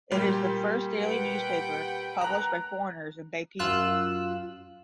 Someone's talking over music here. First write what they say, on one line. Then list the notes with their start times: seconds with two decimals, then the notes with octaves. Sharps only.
It is the first daily newspaper published by foreigners in Beiping.
0.11 A#2 G3 G4
0.96 B4 F#5 G5
2.21 A#5 F#6
3.59 F#2 F4 E6 F#6